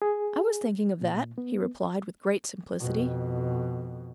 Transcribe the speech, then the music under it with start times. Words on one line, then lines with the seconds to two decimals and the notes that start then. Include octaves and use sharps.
"I was thinking of that," he replied with great simplicity.
0.02 G#4
1.01 A#2
1.38 B3
2.80 F2 B2